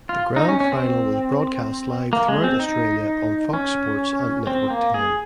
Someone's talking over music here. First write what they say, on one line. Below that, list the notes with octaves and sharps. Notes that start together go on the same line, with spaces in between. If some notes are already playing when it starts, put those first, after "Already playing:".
The Grand Final was broadcast live throughout Australia on Fox Sports and Network Ten.
F4
D#4
C#4
C#4
C4
A#3
G#3
C4
D#4
C#4
C4
A#3
G#4